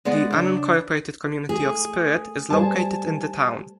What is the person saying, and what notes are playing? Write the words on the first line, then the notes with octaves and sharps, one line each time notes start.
The unincorporated community of Spirit is located in the town.
G#3 B3 G#4 D5 F#5
C#3 D4
A3 G#4
G3 C5 G#5 A5